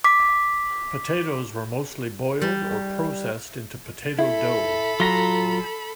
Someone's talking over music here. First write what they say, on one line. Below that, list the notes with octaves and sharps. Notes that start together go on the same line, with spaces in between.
Potatoes were mostly boiled or processed into potato dough.
D6 B6
G3
E4 A4 B5
F#3 F4 A#5